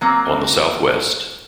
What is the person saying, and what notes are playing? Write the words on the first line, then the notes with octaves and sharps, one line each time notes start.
On the Southwest.
F#3 A#3 C4